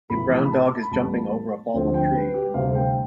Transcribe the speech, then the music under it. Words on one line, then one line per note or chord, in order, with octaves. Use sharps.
A Brown dog is jumping over a fallen tree in the woods.
A1 A2 F3 B3 B5
B5
A5
B5
A1 A2 G3 B3 A5
D2 D3 F3 C4 F4
G5
B4
G4
D2 C3 G3 C4 F5
G5